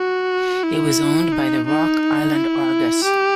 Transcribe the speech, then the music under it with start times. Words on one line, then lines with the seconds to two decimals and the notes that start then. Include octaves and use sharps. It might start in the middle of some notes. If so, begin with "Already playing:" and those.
It was owned by the Rock Island Argus.
Already playing: F#4
0.63 E4
1.32 D#4
1.66 D#4
2.34 E4
3.04 G4